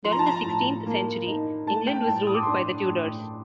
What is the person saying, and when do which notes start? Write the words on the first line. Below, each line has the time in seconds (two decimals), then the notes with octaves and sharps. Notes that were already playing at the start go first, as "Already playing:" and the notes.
During the sixteenth century England was ruled by the Tudors.
0.04 F3 C6
0.12 A#5
0.19 A5
0.27 A#5
0.45 A2
0.86 A#3
1.26 D#4
1.67 A3 A5
1.87 G5
2.08 A2 A5
2.27 D#6
2.34 D6
2.43 C6
2.48 D4 D6
2.89 A2